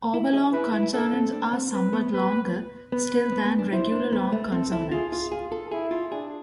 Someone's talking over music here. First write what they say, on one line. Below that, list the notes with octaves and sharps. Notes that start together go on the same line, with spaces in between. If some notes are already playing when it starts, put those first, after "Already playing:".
Overlong consonants are somewhat longer still than regular long consonants.
E4
G#4
E4 B4
E4
D4 A4
C4
D4
C4
C4 B4
B3
B4
B3 B4
B3
B3
D4
E4 C5
D4
B3 B4
A3
C4 A4
E4
F4 G#4
F4
F4 G#4
A4
E4 G#4
F4
D4 G#4